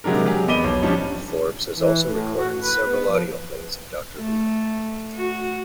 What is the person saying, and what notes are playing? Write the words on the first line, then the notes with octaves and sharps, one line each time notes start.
Forbes has also recorded several audio plays of Doctor Who.
C3 F#3 G#3 D4 A#4
F#3 G4 G#4
E2 B3 D#5 D6 D#7 G7
B1
F3 G3 C#4 D4
E3
A2
F#4
F#2
B4
B3
F3
A3
F#4